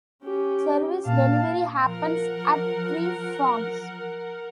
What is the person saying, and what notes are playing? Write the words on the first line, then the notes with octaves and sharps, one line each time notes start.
Service delivery happens at three fronts.
C#4 G4
A#2 F5 A5
F3 A#4 F#5